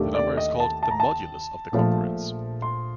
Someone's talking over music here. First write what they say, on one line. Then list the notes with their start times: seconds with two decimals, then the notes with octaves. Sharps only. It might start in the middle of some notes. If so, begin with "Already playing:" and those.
The number is called the "modulus" of the congruence.
Already playing: D#2 D#3 A3 D4 G4
0.14 D5
0.37 D#5
0.60 A5
0.83 A5
0.91 A#5
1.00 A5
1.72 A#1 A#2 F3 A3
2.62 C6